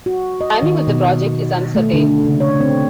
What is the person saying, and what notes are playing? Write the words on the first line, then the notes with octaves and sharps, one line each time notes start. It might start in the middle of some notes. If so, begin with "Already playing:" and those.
Timing of the project is uncertain.
F#4
D#5
D#3
B2
A3
D3
C#3
C#5
C4